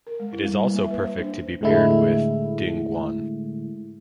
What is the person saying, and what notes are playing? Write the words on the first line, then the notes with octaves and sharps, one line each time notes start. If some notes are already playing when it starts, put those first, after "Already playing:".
It is also perfect to be paired with dinuguan.
A#4
G#3
E4
G3
A#3
E5
B4
C5
D4
A2 D3 G#3 A3 E4